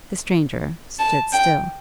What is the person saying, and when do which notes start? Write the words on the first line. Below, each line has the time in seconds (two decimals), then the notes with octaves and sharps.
The stranger stood still.
0.98 A5
1.32 G5